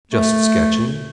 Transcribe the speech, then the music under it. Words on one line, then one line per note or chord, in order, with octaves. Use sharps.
"Just sketching."
A3